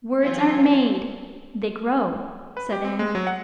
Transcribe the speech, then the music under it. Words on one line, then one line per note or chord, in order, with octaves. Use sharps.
"Words aren't made--they grow," said Anne.
E3 F#3 C4 C#4 F4
B4
G4
C4
G#3
F#3
F#5